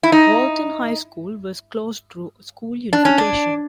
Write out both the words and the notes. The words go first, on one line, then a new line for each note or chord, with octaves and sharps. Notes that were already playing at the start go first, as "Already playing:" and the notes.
Walton High School was closed through school unification.
E4
D#4
D4
C#4
D4